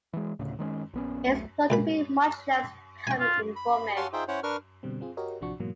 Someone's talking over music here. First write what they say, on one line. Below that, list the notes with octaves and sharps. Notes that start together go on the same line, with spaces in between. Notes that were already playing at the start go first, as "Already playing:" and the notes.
It is thought to be much less common in women.
E3 G#3
D2 A2 C#3
D#3 G#3 A#3 C#4
A#1 B3 C#4
E1 B1 A3
C#2 A#2 B5
G5 G#5
F4
B5
C#5 F5 F#5 G#5 A5 C6
D#4 F4 G#4 C5 E5 G5
C#4 E4 C5 C#5 F#5
D4 A#4 B4 C#6 F6
B2 D3 G3 C4
C4 F4 G#4
F#4 G4 A#4 C#5 D#5
A1 C3 F3 D4 F#4 C#6
G#2 B2 E3 F#3 A#3